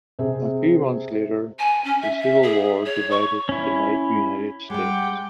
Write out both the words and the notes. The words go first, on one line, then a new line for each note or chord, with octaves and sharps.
A few months later, the Civil War divided the United States.
C3 C4 G#4
G#5
C#4
E5
E5
G#4
C#5
C#6
C#4 E4
G3 G#3 G4 F#5 G5 D6